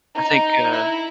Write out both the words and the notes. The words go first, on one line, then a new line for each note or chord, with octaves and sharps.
I think, uh
D#4
E4